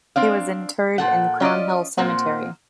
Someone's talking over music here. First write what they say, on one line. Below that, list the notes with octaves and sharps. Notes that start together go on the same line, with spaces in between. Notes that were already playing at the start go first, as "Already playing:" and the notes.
He was interred in Crown Hill Cemetery.
C4 D4 F5
A#2 A4 F#5
C#4 F4 D5 D#5
A#2 A#3 C4 C5 F#5